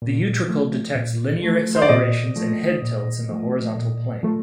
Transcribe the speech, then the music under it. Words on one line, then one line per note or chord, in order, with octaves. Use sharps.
The utricle detects linear accelerations and head-tilts in the horizontal plane.
A#2
F3 A3
A#2
F3 A3
C5
D5
A#2 D#5
F3 A3
A#2
F3 A3
A#2
F3 A3